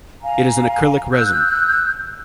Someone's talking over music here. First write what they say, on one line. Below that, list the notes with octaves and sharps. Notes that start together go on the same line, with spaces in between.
It is an acrylic resin.
F5 G#5 A#5
E6 F#6 G6